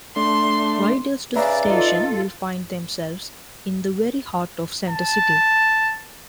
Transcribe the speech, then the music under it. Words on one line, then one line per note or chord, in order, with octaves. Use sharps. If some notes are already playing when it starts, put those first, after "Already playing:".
Riders to the station will find themselves in the very heart of Center City.
A3 D4 C6
C#3 B4 D5 E5 A#5
D#4 F4 A4
A5